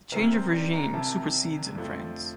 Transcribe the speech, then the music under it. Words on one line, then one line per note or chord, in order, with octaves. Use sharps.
The change of regime supersedes in France.
C2 C3 E3 A#4
C5
D5
A#5
C2 C3 E3 A5
F2 D3 F3 A3